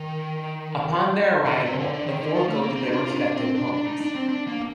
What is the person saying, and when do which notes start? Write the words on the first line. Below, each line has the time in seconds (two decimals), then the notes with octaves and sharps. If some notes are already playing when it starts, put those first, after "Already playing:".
Upon their arrival, the four go to their respective homes.
Already playing: D#3
1.45 C3
1.51 D3
1.65 C3
1.80 D3
1.93 D3
2.07 D#3
2.21 D3
2.35 F3
2.48 A3
2.62 A#3
2.76 C4
2.84 D#4
2.91 D4
3.04 F4
3.12 C4
3.17 D4
3.37 C4
3.55 D4
3.74 D4
3.87 D#4
4.01 D4
4.15 C4
4.29 D4
4.47 A#3